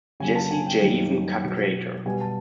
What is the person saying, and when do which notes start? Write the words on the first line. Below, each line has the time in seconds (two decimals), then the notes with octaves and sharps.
Jazzy Jay-even Cut Creator.
0.20 C#3 F#3 A#3 G#5
0.35 A5
0.51 G#5
0.66 G5
0.82 F#2 D#3 G3 A#3
1.44 B2 F#3 B3
2.05 B2 G3 B3 G#5
2.21 A5